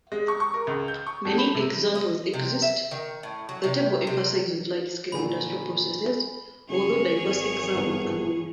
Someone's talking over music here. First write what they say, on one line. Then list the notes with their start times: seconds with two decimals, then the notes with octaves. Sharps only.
Many examples exist, the table emphasizes large-scale industrial processes, although diverse examples are known.
0.12 G#3
0.28 C#6
0.40 C#6
0.54 A#4
0.67 C#2
0.88 G6
1.07 C#6
1.25 F2
1.38 B5
1.55 C3
1.95 D#5
2.34 C3
2.62 E5
2.91 D#3
3.23 A2
3.49 F#3
3.64 C3
4.07 C3
5.12 A#2 D3 D#3 G#5 B5
6.68 F#1 G#4 C#5
7.20 G#1
7.75 G2 B3